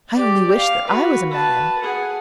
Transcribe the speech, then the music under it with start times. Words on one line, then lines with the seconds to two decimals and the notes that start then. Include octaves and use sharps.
I only wish that I was a man!'
0.14 G4 D5
0.56 F5
0.87 F#4 B4
1.31 B4 A5
1.81 G#4 F#5